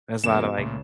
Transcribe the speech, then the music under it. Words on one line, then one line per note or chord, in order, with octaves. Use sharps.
there's a lotta like,
F2 C#3 A#3 E7
B2
C#2 A#2 A3